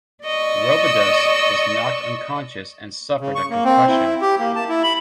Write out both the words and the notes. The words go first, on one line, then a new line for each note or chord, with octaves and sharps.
Robidas was knocked unconscious and suffered a concussion.
D5 D#5 C#6 E6
C#3
C#6
A#3
C4
E4
G4
A#3
A5
E4
B5